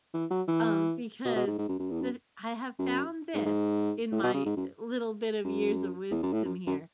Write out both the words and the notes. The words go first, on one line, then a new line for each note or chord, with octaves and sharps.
um, because with I have found this in my, eh, little bit of years of wisdom here.
E3
F#3
E3
B2
B2
G#2
G#2
F#2
F#2
E2
F#2
F#2
G#2
G#2
A2
B2
C#3
G#2
F#2
F#2
E2
F#2
A2
F#2
F#2